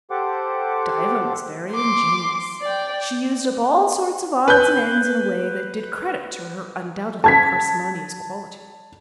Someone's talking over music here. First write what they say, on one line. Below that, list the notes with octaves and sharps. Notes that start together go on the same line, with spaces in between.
Diva was very ingenious: she used up all sorts of odds and ends in a way that did credit to her undoubtedly parsimonious qualities.
G4 A4 C5 F#5 D6
C6 D6
D5 G5
B4 G6
A5 G#6 B6